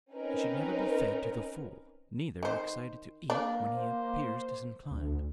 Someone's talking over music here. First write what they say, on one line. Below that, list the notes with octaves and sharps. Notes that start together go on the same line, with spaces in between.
He should never be fed to the full; neither excited to eat when he appears disinclined.
C4 C#4 D#4 A#4 B4
D#3 C5
A#3 D4
C5
D2